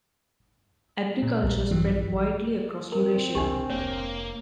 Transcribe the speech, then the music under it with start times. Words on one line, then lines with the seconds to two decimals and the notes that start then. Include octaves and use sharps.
Agriculture spread widely across Eurasia.
1.22 A#2
1.43 A#1
1.71 G2 E3 F#3
2.92 C4 A#4
3.35 F1 C#2 D4 G4
3.70 F1 A#3 C#5